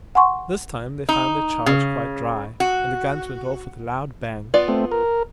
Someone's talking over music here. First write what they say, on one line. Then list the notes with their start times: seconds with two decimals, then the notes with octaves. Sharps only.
This time they found their charge quite dry, and the guns went off with a loud bang.
0.15 F#5 G#5 C6 C#6
1.09 D#4
1.66 C#3
2.60 F#4
4.54 B3 F4 D5
4.68 A3 C4
4.91 A#4